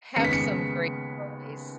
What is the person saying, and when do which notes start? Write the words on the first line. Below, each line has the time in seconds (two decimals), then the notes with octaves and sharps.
have some great holidays,
0.16 D#2 C#3 G#3 B3 C#7
0.24 B6
0.33 C#7